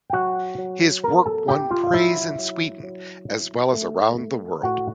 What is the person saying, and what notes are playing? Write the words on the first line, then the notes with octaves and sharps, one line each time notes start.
His work won praise in Sweden as well as around the world.
G5
F#3 F#4 F#5
F#3
B3 A#4 A#5
A4 A5
E4 G4 G5
F4 F5
F5
F#3 E4 E5
F#3
F#3
E4
A3
A3
A2 F#4 F#5